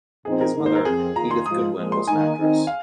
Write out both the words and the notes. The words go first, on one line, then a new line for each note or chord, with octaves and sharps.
His mother, Edith Goodwin, was an actress.
A#2 F3 C4 D#4 G#4
A#4
G#2 D#3 A#3 D#4
C5
A#4
F2 F3 C4 G#4
F2 D#3 A#3 F4 A#5
C6
G#2 F3 G#3 F4 D#6
A#2 F3 G#3
C6
D#3 A#3 D#4 G#5
D#3 C4 D#4
F5